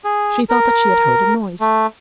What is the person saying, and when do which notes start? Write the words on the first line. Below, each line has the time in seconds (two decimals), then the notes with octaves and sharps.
She thought that she had heard a noise.
0.04 G#4
0.50 A#4
1.61 A3